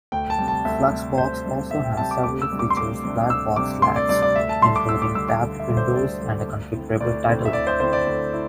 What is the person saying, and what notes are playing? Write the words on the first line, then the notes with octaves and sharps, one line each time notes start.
Fluxbox also has several features Blackbox lacks, including tabbed windows and a configurable titlebar.
D2 G5
A5
C3 G3
A5
D2 E5
C3 G3
D2 C5
C3 G3
D2 E5
G5
C3 G3 A5
D6
D2 D6
E6
C3 G3 D4
D6
C6
D2 D6
C3 G3 D4
D2 E6
C3 G3 D4 D6
D2 C6
D5
C3 G3 D4 D5
D5
D2 E5
A5
D3 G3 C6
D6
D2 E6
D6
D3 G3 E6
D6
D2
E5
D3 G3
C5
D2 D5
D3 G3
D2
D3 C4 E4
D2 D5
D3 C4 E4
E5
D2 D5
C5
D3 C4 E4 C5
D5
D2
E4